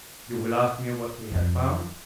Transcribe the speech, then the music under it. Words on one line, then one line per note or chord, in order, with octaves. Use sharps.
You will ask me what he had found?
F2 G3